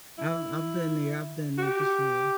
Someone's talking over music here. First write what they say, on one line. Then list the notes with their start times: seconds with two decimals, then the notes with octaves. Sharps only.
I've I've been there, I've been there for sure.
0.18 E4
1.58 F#4
1.63 G4